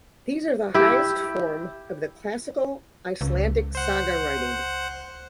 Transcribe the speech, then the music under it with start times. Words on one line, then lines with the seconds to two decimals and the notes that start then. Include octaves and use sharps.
These are the highest form of the classical Icelandic saga writing.
0.74 E4 G4
3.21 C#2
3.75 C5 F#5